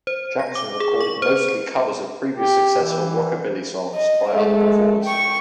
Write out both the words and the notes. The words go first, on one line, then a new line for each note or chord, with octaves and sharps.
Jackson recorded mostly covers of previously successful Rockabilly songs by other performers.
C5
A#6
D6
G#4
C#6
C5
G4
E3
D#5
G#3 A3
G5 C#6